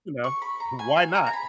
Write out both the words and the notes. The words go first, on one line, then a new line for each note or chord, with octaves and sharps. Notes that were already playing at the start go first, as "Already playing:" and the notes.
you know, why not?
C#6
B5
A#5
G#5
G#5
A#5
A#5
B5